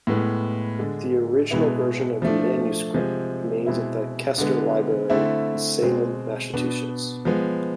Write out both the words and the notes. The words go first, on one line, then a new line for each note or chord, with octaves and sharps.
The original version of the manuscript remains at the Kester Library in Salem, Massachusetts.
A2 G#3 B3
D3 G#3 D4
B2 G#3 B3 E4
F3 A3 D4
C3 F3 G#3
B2 G#3 C4 E4
D3 G#3 B3
D3 A3 C4 E4
B2 G#3 C4
B2 B3 D4
F3 G#3 B3